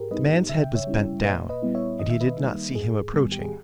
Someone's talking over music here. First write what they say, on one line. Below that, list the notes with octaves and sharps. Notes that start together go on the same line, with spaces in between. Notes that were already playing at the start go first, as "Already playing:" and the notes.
The man's head was bent down, and he did not see him approaching.
Already playing: G#2 G4 G#4 A#4
G3 B3 D#4 B4 D#5
C#3 E5
G5
C#5 E5
G3 C#4 E4
A#2 B4 D#5
B4 D#5
G3 B3 E4
C#5 E5
D#3 D#5
E5
B4 D#5
G3 A#3 D#4
G#2 G#4
D#3 G3 B3
G4
G#4